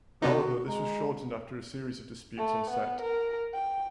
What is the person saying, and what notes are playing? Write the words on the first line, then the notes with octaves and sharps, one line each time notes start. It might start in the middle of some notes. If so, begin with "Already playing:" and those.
However, this was shortened after a series of disputes on set.
C3 B3 D#4 F#4
G#3 A#5
A3
B3
A#4
G5